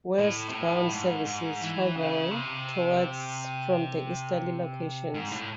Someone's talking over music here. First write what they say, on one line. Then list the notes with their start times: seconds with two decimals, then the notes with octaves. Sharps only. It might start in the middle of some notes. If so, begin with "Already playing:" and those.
Westbound services travel "towards" from the easterly locations.
0.19 A2
0.49 C3
0.54 A2
0.89 G#2
1.25 G#2
1.61 E3
1.96 C#3
2.31 C3
5.14 G#2
5.31 A2